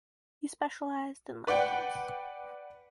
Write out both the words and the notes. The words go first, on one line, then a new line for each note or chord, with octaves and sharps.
He specialized in lichens.
B4 D5 F#5 G5